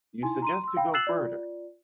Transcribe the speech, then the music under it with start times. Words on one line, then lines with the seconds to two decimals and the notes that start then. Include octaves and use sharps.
You suggest to go further.
0.23 D#4 E4 G#5 C6
0.42 A#5 C6 D#7
0.64 C6 E6
0.77 F5 G5 B5
0.94 E6 F#6 A6 C7 E7 F#7
1.07 F4 D5